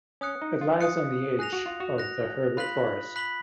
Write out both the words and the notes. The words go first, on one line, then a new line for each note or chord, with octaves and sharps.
It lies on the edge of the Herbert Forest.
C#4 D#6 F#6 C#7
D#4
F4
F4 D#6 F#6 C#7
G#4 F#6 A#6 F7
F#4
F4
F#4
F#6 A#6 F7
F4 B5 F#6 B6 F#7
B5 F#6 B6 F#7